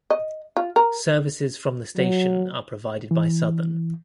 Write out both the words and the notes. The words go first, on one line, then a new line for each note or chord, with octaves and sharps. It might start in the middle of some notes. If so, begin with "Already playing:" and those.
Services from the station are provided by Southern.
D#5
F4
A#4
F#3
E3